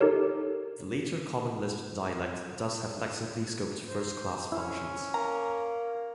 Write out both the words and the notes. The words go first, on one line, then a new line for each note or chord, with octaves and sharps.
The later Common Lisp dialect does have lexically scoped first-class functions.
D#4 G4 A4 A#4 C#5
C5
C#4 E4
A#3 A#5